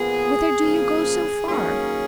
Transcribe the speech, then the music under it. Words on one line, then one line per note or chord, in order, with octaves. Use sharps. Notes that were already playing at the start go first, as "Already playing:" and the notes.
Whither do you go so far?
Already playing: A#2 F3 B3 G#4
C#3 F3 A#3
D#3 F#3 A#3 C#4 G#4